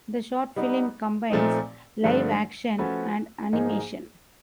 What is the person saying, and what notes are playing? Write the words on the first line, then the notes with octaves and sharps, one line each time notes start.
The short film combines live action and animation.
G3 B3 D#4
A#2 F3 A3 C4 D#4
G2 D3 F3 A3
F3 A3 C#4 F#4 B4
G#2 F3 A#3 D#4 G#4